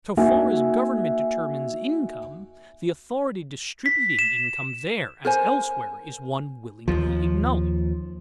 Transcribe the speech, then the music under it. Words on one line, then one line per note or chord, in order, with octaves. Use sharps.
So far as government determines income, the authority distributing income there, as elsewhere, is one willingly acknowledged.
A#3 D#4 F#4 E5 F#5 G#5
B6
E7
A#4 C5 G#5
D#2 F3